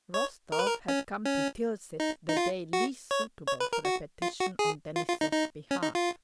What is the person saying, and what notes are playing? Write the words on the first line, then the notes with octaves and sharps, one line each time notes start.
Rostov had come to Tilsit the day least suitable for a petition on Denisov's behalf.
C#5
A#4
B4
A#4
C#4
C#4
D#4
D#4
F4
F#4
C#5
C#5
B4
A#4
F#4
F4
F#4
G#4
F4
F4
D#4
D#4
C#4
D#4
F4